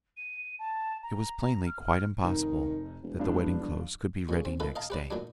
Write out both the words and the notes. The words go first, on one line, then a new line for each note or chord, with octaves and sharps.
It was plainly quite impossible that the wedding clothes could be ready next day.
D#7
A5
A#5
F6
F6
F1 D#3 D#4
E1
E1 G2 F3 D4
A#2 C#3
C4
D#3 F4 A4 B4
D#5 F5 A5 A#5
G4 B4 D5
A#2 D#3 F#3 D4